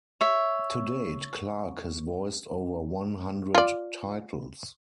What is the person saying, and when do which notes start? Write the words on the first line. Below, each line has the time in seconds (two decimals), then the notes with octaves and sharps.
To date, Clarke has voiced over one hundred titles.
0.21 C#5 E5
3.55 F4 D5